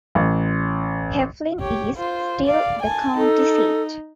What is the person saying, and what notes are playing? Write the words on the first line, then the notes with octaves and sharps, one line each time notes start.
Heflin is still the county seat.
A1
G4 C#5
F4 C5
D5 F5
G#5 A5
D#4 A4